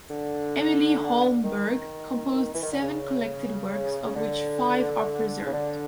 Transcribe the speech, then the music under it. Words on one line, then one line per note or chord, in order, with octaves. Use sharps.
Emilie Holmberg composed seven collected works of which five are preserved.
D3
D#3
E3
D#3
D3
C#3
C#3
D3
C#3
D3